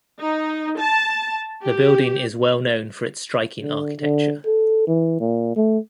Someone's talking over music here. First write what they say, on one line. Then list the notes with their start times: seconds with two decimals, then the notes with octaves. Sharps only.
The building is well known for its striking architecture.
0.19 D#4
0.78 A5
1.64 G4
3.62 D3
4.00 D3
4.46 A4
4.87 E3
5.20 A#2
5.56 A3